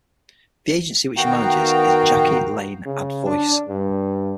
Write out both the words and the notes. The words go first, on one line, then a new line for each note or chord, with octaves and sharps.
The agency which she manages is Jackie Lane Ad Voice.
D#3 B3 F#4 F5 G5 A#5
C#3
D4
G2